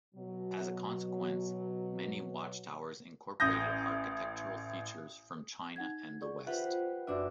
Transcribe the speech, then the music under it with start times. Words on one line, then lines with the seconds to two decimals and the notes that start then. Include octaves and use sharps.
As a consequence, many watchtowers incorporated architectural features from China and the West.
0.15 B2 F#3
3.40 A1 D#6 G6 A#6
5.76 D#4 F#5 G#6
6.21 G#4 D5 C#6
6.47 F4 G4 B4 C5 E5 F#5
7.07 F#1 D4 F#4 B4 D5 E5 D6 E6